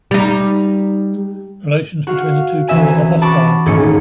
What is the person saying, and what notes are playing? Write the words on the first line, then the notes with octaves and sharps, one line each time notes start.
Relations between the two tours are hostile.
G3 D#4
F#4 F5
C2 E3 C#4 E5 G#5
F#4 A5 B5 C#6 D6
D#1 D#2 G#2 A3 C#4 C#7